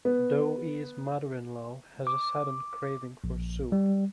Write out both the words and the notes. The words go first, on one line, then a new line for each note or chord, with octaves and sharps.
Dou E's mother-in-law has a sudden craving for soup.
B3
D6
A#1
G3